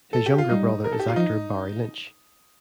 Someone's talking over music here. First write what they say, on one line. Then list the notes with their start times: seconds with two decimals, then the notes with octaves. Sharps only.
His younger brother is actor Barry Lynch.
0.13 A4
0.26 G4
0.38 F4
0.49 G3 D#4
0.84 A#4
0.92 A4
0.99 G4
1.08 F4
1.16 F3 D#4